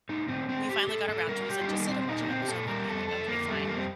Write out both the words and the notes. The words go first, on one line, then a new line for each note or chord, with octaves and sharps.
we finally got around to it, he's like, "Just sit and watch an episode with me." I'm like, "Okay, fine."
A2 D#4
A2 C4
A2 C4
A2 G4
A2 A4
A2 A4
G3 A#4
G3 G4
F4
G3 D#4
A#3
A#2 C4
A#2 D#4
A#3
A#2 C4
G4
A#2 A4
G3 A#4
F2 A4
F2 A4
A3
F2 A#3
G3 A3
F2 A#3
C4